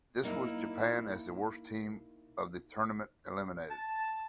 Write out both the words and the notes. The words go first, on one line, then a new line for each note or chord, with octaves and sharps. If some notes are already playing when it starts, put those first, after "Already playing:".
This was Japan as the worst team of the tournament eliminated.
A#3 D#4 E4
A5